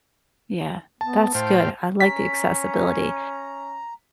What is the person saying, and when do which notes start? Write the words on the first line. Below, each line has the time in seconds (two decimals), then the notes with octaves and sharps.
Yeah, that's good. I like the accessibility.
1.01 B3 A5
1.35 A2 C5 F5 G5
2.00 C#4 A#5 B6